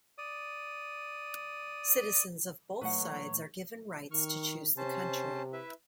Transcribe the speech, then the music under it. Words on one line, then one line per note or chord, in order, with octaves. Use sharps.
Citizens of both sides are given rights to choose the country.
D5 D#6
A#2 E3 F#3 A3 B4 C#5 F#5
D#3 C#6 F6
C3 C#4 C5 A5
E4 B4 E5